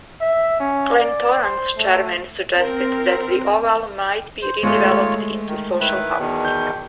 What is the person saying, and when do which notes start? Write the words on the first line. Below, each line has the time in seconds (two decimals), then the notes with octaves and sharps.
Glentoran's chairman suggested that the Oval might be redeveloped into social housing.
0.21 E5
0.60 C#4
0.98 D5
1.43 C5
1.78 A3
2.58 C4 A#4
4.42 C5
4.63 D#2 G#3 A3 F4 C#5
5.48 D#3
5.80 D#3 E4 B4
6.19 E2 B2 D#3
6.45 G6